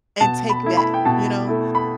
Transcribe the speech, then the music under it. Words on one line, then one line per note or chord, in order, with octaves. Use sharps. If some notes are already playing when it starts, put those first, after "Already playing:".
And take that, you know,
B2 A5
B5
A3 E4
B5
G5
B2 A5
A3 E4
B5